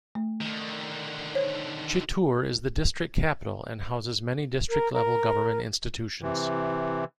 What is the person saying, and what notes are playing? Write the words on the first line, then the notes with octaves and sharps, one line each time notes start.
Chittoor is the district capital and houses many district level government institutions.
A3
D3 D#3
C5 C#5
A#4
A#4
C3 E3